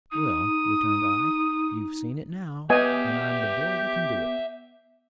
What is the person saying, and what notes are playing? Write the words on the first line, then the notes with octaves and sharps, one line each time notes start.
"Well," returned I, "you've seen it now, and I'm the boy that can do it."
D#4 D#6
B3 G4 D#5 E5 F#5 G#5